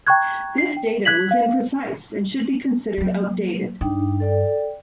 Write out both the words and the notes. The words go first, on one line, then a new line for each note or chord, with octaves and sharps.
This datum was imprecise and should be considered outdated.
G5 A#5 C#6 F#6 G#6
D4 C7
G5
F#6 G#6 B6 F#7
F5
F#3 A#3
G2 D4 D#4 G5
A4 D5 G5